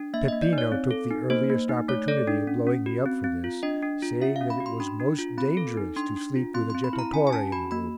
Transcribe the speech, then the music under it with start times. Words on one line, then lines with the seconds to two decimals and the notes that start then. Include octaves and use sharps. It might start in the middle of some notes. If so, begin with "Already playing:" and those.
Peppino took the earliest opportunity of blowing me up for this, saying that it was most dangerous to sleep with a jettatore in the room.
Already playing: D4
0.14 A#3 E5
0.28 D#5
0.32 A#3
0.42 D5
0.53 D#4
0.58 C#5
0.72 C4
0.91 A4
1.11 D#4
1.30 A#3 C5
1.50 A#3
1.69 D#4
1.88 A3 C#5
2.08 A4 D5
2.27 D4
2.47 C#4
2.67 C#4
2.86 F#4
3.06 C4
3.24 C4
3.44 F4
3.63 D4 D#5
3.82 D4
4.02 F4
4.22 C#4 E5
4.36 F5
4.41 C#4
4.50 B5
4.60 F#4
4.66 C6
4.80 D4 B5
5.00 D4
5.19 F4
5.38 C4 B5
5.57 A4
5.77 D#4
5.96 D4 C6
6.17 D4
6.36 F4
6.54 C4 C6
6.70 C6
6.75 C4
6.84 B5
6.93 E4
6.99 A#5
7.12 C#4 G#5
7.27 G#5
7.33 C#4 A5
7.52 F#4 B5
7.71 A#3 B5